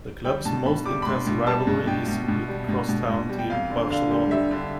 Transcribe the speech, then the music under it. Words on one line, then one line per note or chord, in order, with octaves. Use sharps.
The club's most intense rivalry is with crosstown-team Barcelona.
G3 G5
B2 A5
B2 B5
G3 D6
B5
B2 C6
B2
G3 A5
B2
B2 G5
B2
B2
G3
B2
B2
B2
G3
G5
F2 F5
D3
D3 F5
G3
G3 E5
D3